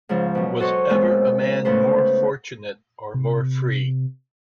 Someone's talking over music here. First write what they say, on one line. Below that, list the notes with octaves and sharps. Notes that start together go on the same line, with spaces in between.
Was ever a man more fortunate or more free?
G#2 C#3 F3
F#2 B2
F#4 A4 C5 C#5 D#5
A#2 G#3 B3 C4
C#3 A3 B3 B4 C5
C3